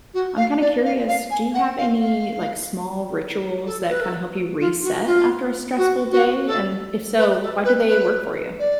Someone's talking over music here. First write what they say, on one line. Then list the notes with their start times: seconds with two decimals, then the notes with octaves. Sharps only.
I'm, kind of, curious, do you have any, like, small rituals that kinda help you reset after a stressful day, and if so why do they work for you?
0.13 F#4
0.37 F5
0.60 D5
0.84 F5
1.08 F5
1.30 G#5
1.54 F#5
1.77 F5
2.01 F5
3.65 A4
3.89 B4
4.01 A4
4.60 F4
4.83 F#4
5.06 F4
5.77 F#4
6.11 F#4
6.46 A4
7.17 B4
7.42 A4
7.64 B4
7.87 B4
8.59 D5